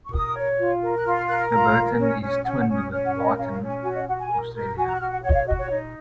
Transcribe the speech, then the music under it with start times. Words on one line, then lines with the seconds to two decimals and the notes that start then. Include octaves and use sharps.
Theberton is twinned with Thebarton, Australia.
0.05 C#6
0.12 A#4 D#6
0.36 C#5
0.59 F4
0.82 A#4
0.99 F#6
1.05 F4 F6
1.17 F6
1.29 A#4 F#6
1.40 F6
1.52 F4 A#5
1.75 A#4
1.98 C#4
2.22 C#4
2.45 C#4 F#5
2.60 F#5
2.68 C#4
2.75 D#6
2.91 C#4 F6
3.06 F#5
3.15 A#4 F5
3.23 D#5
3.37 C#4 F5
3.53 F5
3.61 C#4
3.69 G#5
3.84 F#4 G#5
3.96 D#5
4.07 F#4 F#5
4.20 G#5
4.31 A#4
4.54 A#4
4.77 F#4 G#5
4.88 A#5
4.96 F#6
5.00 F#4 F6
5.12 F#5
5.23 C#5 F#5
5.30 D#5
5.35 F5
5.47 F#4 D#5
5.59 C#5
5.70 D#4